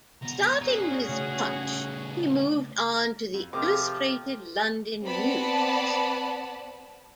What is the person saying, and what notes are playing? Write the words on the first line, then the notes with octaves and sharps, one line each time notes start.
Starting with "Punch", he moved on to the "Illustrated London News".
C#2 B3 A#5
C#4 F#4 G#4 D5 A#5
C#3 A3
F2
C3 F3 G#4 A#4 D#5 G5 D6
G4 A4 G5
B3 C4 D5 F#5 A5 B5